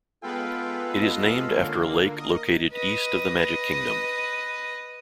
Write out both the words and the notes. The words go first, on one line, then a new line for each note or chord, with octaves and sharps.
It is named after a lake located east of the Magic Kingdom.
G#3 B3 F4 A4 B4 F5 G5
D#5
D3 A#3 C#4
F4
A#4 D#5
B4 D#5